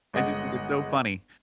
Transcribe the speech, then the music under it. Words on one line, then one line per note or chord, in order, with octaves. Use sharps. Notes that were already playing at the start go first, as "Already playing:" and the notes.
I just think it's so funny.
G1 G#3 D#5 F#5